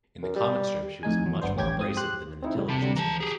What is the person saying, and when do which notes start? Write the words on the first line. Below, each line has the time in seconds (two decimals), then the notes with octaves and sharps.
In the comic strip, she was much more abrasive than in the television series.
0.22 F#2
0.36 G3
1.03 F2 A2 D#4 G#5
1.26 E2 F#3
1.42 G1 B3 D4 C5
1.57 A1 C#4 G4 G5 G#6
1.77 G#2 C4 D#6
1.97 G4 C5 F#6
2.43 C4 D#4 E4
2.55 A2 C#3 G3
2.69 C3 A5 B5
2.82 D3 F#3 G3
2.96 E3 A5 A#5
3.20 G4 G#4